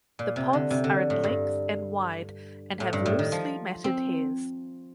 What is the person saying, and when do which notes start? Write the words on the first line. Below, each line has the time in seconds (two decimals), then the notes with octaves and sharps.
The pods are in length and wide and have loosely matted hairs.
0.19 A#2
0.36 C3
0.53 D3
0.70 C3
0.84 D3
1.10 A2
1.23 G2
2.80 A2
2.93 G2
3.06 A2
3.19 D#3
3.32 F3
3.84 C4